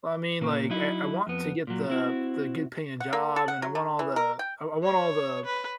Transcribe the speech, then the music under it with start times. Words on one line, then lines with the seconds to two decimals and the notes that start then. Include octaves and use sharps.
Well, I mean, like, I I want to get the the good paying job, and I want all the I I want all the
0.41 A#2 C#3 A#3
0.70 F#3 D#4 E4
1.27 F2 B3
1.67 A#2 F#3
1.90 C4 E4 F#4
3.00 F#5
3.13 A#3
3.36 A4
3.48 F#5
3.62 F#3
3.75 D3
3.99 E3
4.16 A#4
4.39 G5
4.83 C#5
5.45 B4